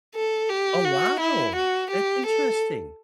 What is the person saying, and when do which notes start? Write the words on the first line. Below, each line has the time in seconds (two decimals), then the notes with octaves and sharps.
Oh, wow! That's interesting.
0.15 A4
0.50 G4
0.85 F#4
1.20 E4
1.56 F#4
1.91 G4
2.26 A4